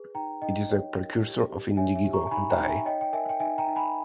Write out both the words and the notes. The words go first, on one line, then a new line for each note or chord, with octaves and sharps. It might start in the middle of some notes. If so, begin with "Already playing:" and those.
It is a precursor of indigo dye.
Already playing: G#4 B4
D#4 G5 A#5
D#4 D#5 G5
C#5
A#4
G4
G4
C#5 E5 G#5
E5
G4
A#5 C#6
D#4 G#5 B5
G5 A#5
D#4
E5 G#5
C#5 D#5 G5
G5
A#4 E5 G#5
G5
D#4 E5 G#5
G5 A#5
D#4
G#5 B5